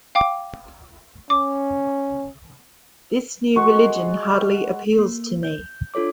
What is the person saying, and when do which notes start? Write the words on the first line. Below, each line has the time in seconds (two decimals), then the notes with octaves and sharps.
This new religion hardly appeals to me.
0.15 F5 G5 D6
1.30 C#4 D6
3.56 G#3 F#4 C#6
4.99 A#3
5.43 G6
5.94 D4 F4 A4 C#5 D6